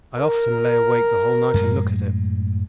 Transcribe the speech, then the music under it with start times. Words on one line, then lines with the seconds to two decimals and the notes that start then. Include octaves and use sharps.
I often lay awake the whole night and look at it.
0.16 A#4
1.54 F#2 A2 G#3